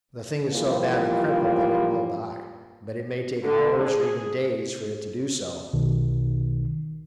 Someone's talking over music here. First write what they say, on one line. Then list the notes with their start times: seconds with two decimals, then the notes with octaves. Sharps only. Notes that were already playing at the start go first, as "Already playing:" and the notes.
The thing is so badly crippled that it will die, but it may take hours, or even days, for it to do so.
0.50 E3 F3 G3 A#3 F4
3.45 D3
3.82 G#4
5.73 B1 B2 D#3